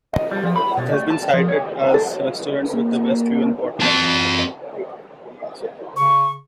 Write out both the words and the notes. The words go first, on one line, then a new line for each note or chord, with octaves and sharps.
It has been cited as the restaurant with the best view in Portland.
D#5
G3
F3
B5
B2
A3
A5
F3
C#5
A4 A5
A#3
C4 A5
C#3 C#6